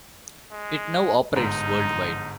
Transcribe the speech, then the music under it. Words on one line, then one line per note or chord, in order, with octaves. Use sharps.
It now operates worldwide.
G#3
G1 G#2 D#4